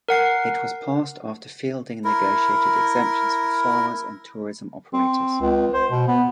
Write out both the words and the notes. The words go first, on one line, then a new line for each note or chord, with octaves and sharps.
It was passed after Fielding negotiated exemptions for farmers and tourism operators.
A#4 F#5 C7
E4 A#4
C4
C#2
C5
B2
B3